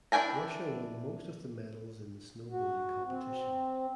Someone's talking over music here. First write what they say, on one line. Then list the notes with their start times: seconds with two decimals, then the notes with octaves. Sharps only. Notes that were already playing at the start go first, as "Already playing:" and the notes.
Russia won most of the medals in the snowboarding competition.
0.12 D4 E4 G5 G#5 A#5
2.51 F#4
3.07 C4